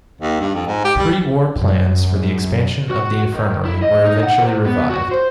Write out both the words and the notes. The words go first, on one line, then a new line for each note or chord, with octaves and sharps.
Pre-war plans for the expansion of the Infirmary were eventually revived.
D#2
G2
F2
G#2
G4
G3
F#2
F#4
D#3
E4
D#5
D#4
F#5
C3
B3
F#4
C5